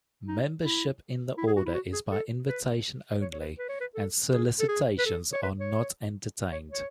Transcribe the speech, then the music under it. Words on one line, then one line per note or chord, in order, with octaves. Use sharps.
Membership in the Order is by invitation only and solicitations are not entertained.
D#4
E4
E4
G#4
F#4
E4
F#4
G#4
A4
B4
C#5
C#5
B4
B4
C#5
B4
A4
G#4
A4
G#4
B4
A4
C#5
B4
C#5
C#5
C#5